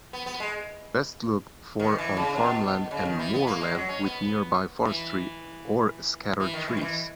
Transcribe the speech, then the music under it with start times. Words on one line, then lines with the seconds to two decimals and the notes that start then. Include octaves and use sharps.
Best looked for on farmland and moorland with nearby forestry or scattered trees.
0.13 B3
0.26 B3
0.40 G#3
1.79 D#3
1.98 E3
2.17 C#3
2.36 B2
2.91 C#3
3.05 D#3
3.19 E3
3.33 B3
3.47 A#3
3.61 G#3
3.75 F#3
3.89 C#4
4.04 B3
4.86 E3
6.40 E3
6.53 D#3
6.68 E3
6.77 D#3
6.81 E3